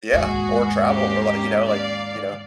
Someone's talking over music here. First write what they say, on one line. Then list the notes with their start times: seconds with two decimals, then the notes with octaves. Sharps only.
yeah, or travel, or like you know, like you know,
0.13 D#2 G#2 F#4 G#4
0.86 A#3 C#4 G4
1.67 D5 F5